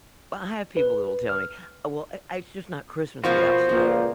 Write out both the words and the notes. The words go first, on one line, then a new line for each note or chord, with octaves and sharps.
Well, I have people that will tell me, "Oh, well, I it's just not Christmas without snow,
B4
F6
B2 F3 A#3 F4 F#4 C5
C#2 A#2 F3